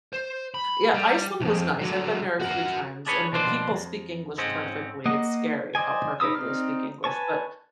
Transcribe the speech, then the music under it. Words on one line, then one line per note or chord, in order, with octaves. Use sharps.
Yeah, Iceland was nice, I've been there a few times, and the people speak English perfectly. It's scary how perfect they speak English, but
C5
B5
G3
B1 F2
D3 F#3
F#4 A#4
D4 G#4 B4 C#5
B2 F3 D4 C5
F2
G#2 G#3 C4 C#4
A#3 D#5 F#5
C5 D5 D#5 G#5
D#4 G4 B4 D#6 E6
C4 D#4 D5 F6
B4 G#5 A5 C#6